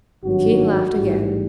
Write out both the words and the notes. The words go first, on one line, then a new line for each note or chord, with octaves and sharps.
The king laughed again.
G#1 G2 D#3 F#3 F#4
A1 G#2 E3 G3